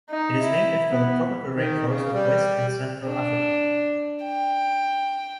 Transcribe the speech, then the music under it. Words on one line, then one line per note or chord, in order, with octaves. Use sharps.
It is native to the tropical rainforests of West and Central Africa.
D#4
E4
B3
D#3
C#3
G3
D4
G5